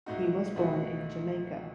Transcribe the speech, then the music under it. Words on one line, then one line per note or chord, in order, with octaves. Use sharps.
He was born in Jamaica.
C#2 B2 A3 D#4 F#4
C#2 B2 A3 D#4 F#4